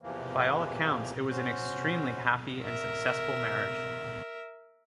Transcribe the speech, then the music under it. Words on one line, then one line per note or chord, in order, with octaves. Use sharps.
By all accounts, it was an extremely happy and successful marriage.
E2 C3 E3 F3 A#3
C#4 F#4 C5
A#4 E5